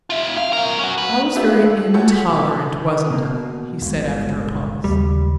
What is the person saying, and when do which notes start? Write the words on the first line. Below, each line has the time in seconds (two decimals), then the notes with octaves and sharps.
"I was very intolerant, wasn't I?" he said after a pause.
0.10 F4 E5
0.37 F5
0.53 B2 A#4
0.79 C#4 F#4
0.98 B4
1.35 B3 D4 F4 G4 E5
1.60 F3
1.94 F#4 G4 A4 C#5 F#5 G#5
2.12 B6
2.30 B2
3.10 B2 A#3
3.81 G1 G#3
4.84 D#2 C#3 G3